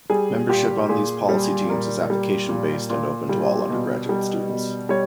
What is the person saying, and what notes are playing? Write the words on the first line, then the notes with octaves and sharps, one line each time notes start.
Membership on these policy teams is application-based and open to all undergraduate students.
G3 G#4
A#2 G4
A#2 G#4
G3
A#2 A#4
G3
A#2
A#2
G3
B2
G3
B2
G3 C#5